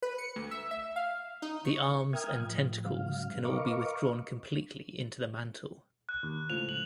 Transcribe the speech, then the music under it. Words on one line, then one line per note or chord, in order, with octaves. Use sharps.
The arms and tentacles can all be withdrawn completely into the mantle.
B4
C#7
D2
E5
E5
F5
D#4
C#6
A#4 E5 G5 D#6 F6 G#6
A2 F3
G#2 C#3 F#3 F5
A#4 B4 D#5 F5 C#6 D6
F#6
D#2
C#2 A2 F3 F7
F#7